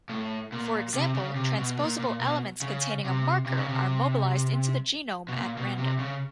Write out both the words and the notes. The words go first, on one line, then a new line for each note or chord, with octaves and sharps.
For example, transposable elements containing a marker are mobilized into the genome at random.
A2
A#2
C3
C#3
C3
B2
A#2
A#2
B2
C#3
C3
C3
C#3
C3
B2
A#2
B2
C3
C#3